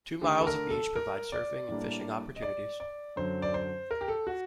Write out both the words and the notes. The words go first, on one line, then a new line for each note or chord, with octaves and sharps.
Two miles of beach provide surfing and fishing opportunities.
D3 A3 D4 G4
A4
A#4
A4
A#4
D5
A2 G3 A#3 D4
D#5
D5
D5
F#2 D3 F#3 C5
D5
C5
A#4
G4
A4
F#4